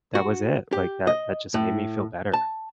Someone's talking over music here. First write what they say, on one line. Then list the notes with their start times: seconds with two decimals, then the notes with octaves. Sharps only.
that was it, like, that that just made me feel better.
0.15 F#4
0.73 G4
1.07 D#5
1.54 A2
2.34 A5